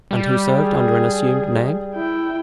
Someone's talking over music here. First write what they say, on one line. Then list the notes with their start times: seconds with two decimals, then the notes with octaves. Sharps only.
"And who served under an assumed name?"
0.11 G3
0.52 G#4
1.95 E4 G5